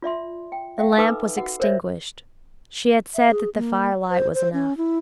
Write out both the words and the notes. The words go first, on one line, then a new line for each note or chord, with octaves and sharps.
The lamp was extinguished; she had said that the firelight was enough.
F4 D5 E5 C6
G5
E5 F5 G5
D#4 A4 B4 B5 D6 E6
F#4 F#5
A#4 C5 C#5 E5
E5
G#4
A#3
C5
C5
C#4
E4